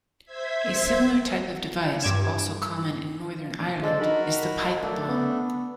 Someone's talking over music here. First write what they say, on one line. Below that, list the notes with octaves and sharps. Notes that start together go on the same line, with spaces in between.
A similar type of device, also common in Northern Ireland, is the pipe bomb.
C5 E5 G#6 B6
G2 D6 G#6 E7
G#3 D4 A4 C5
D#4 F#4 A#4 B5
D#3
A3 D4
B3